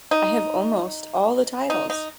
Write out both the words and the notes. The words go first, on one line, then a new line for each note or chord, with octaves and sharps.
I have almost all the titles.
D#4
D#4
D#4